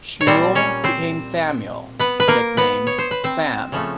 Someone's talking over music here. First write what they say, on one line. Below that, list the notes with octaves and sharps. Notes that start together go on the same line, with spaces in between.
Schmuel became Samuel, nicknamed Sam.
C#5
A#2 G3 C4 C5
C#4 C#5
C4 C5
B3 B4
B4
A#3 A#4
B3 B4
C#5
C5
B4
C4 C5
C#3 F3 A3